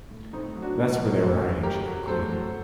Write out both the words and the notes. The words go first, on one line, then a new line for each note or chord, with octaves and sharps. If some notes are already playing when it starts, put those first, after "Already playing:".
"That's where they were hiding," she concluded.
A2
A2 C4 D#4
F#3
D4 F#4
A2
F#3
A2 F#4 A4
A2
F#3 G4 A#4
F#3
A2 A4 C5
F#3